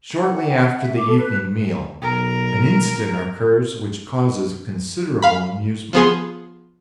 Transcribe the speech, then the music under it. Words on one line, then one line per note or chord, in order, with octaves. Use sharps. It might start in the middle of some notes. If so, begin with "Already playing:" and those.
Shortly after the evening meal, an incident occurs which causes considerable amusement.
F#5
F#5
G5
F#5
E5
D6
A4
B4
B1 A#4
F5 B5
F3 B3 G#4 C6